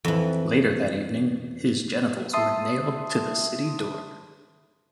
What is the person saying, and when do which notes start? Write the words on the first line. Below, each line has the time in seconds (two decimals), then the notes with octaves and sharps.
Later that evening, his genitals were nailed to the city door.
0.05 F2 E3
2.33 E5 A5 C6 D#6